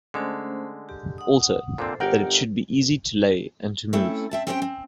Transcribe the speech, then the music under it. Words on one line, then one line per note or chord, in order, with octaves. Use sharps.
Also that it should be easy to lay and to move.
D3 G#3 A3 C#4 C5
G4
F#5 D#6
A#2 D3 C4 A4 C5
G1 G4 A#4 F#5 G5
A3 C4 C#4 E4 A4
C4 E5 A5
C4 C#4 G4 C5 E5 G5
C4